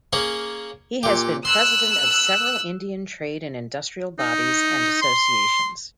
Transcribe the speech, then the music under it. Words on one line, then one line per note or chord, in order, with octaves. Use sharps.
He has been president of several Indian Trade and Industrial Bodies and associations.
A#3 C#4 G#4
A#2 G4
C6 E6 F#6
D#4
C6